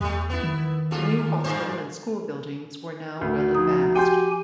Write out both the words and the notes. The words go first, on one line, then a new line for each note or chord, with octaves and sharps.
The new hospital and school buildings were now well advanced.
E2 G3 A3
B3 E4
D#3
D#2 F4 A4
G2 A#2 C5
D2 F#4
F3 D#4 D#6
G4 G5 G#5 C6 G6